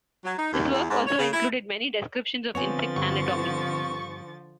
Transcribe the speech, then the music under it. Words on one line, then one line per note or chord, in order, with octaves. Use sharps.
This work also included many descriptions of insect anatomy.
F#3
D#4
D#2
E2
G#2
C#5
C#3
E4
D3 F3 B3 C4 C#5 G#5 A6
G1 C#6